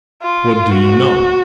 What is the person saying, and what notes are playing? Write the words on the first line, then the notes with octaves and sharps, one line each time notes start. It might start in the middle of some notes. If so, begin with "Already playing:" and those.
"What do you know?"
F4
F#4